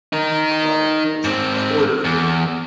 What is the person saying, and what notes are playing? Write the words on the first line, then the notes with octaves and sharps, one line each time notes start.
clutter. It was, like, a hoarder
D#4 A#4
G#2 C4
E2